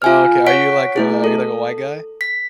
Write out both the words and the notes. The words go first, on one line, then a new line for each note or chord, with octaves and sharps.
Oh, okay. Are you like a are you like a white guy?
F4 G#5 F6
C#5 F#5 B6 D7
A3 E4 G#4
A4
B6